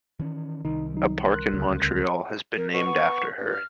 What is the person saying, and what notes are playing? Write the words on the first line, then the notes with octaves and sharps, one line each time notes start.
A park in Montreal has been named after her.
D#3 E3 C#4
C2 D#3 D#4
F#3 D#4
A#4 C6 F#6
D2 C#3
A#4
B2 C#6
B3
G2
F6